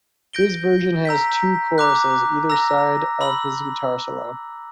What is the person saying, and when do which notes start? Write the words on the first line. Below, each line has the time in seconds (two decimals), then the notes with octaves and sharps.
His version has two choruses either side of his guitar solo.
0.33 G6 A#6 D7 G7
1.05 A#5 E6 G6 B6
1.78 A#5 D6 F#6
2.50 A#5 E6 A#6
3.21 B5 E6 F#7